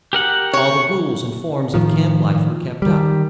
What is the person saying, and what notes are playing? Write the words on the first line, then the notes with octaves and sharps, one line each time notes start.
All the rules and forms of camp-life were kept up.
G4 A#4 F#5
C#5 C#6
A2 D#3 F3
D#3 G3